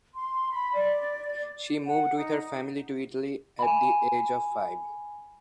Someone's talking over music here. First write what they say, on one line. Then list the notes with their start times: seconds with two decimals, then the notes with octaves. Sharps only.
She moved with her family to Italy at the age of five.
0.14 C6
0.50 B5
0.73 D5
1.86 F#5
2.15 D#4
3.59 G#5 B5